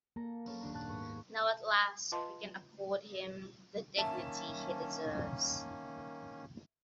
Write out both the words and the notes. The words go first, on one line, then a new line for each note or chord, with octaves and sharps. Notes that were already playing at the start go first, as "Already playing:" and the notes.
Now at last we can accord him the dignity he deserves.
A#3 A4 A#5
B3 C#4 A4
D#1 D4 A#5
A#2 A5 F#6
G#2 B3 C#6
F4 B4 D#5 F5 A5 C6
D#3 A#3 C#4 E5 A5